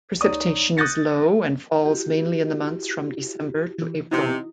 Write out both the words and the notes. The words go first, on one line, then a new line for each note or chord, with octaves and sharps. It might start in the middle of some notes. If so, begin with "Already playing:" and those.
Precipitation is low, and falls mainly in the months from December to April.
D#4 C#5 D5 D#6
D#6 F#6 G6 A6 A#6 C#7
E4 F#4 G4
E3
C3 D#4 E4 F#4 D#5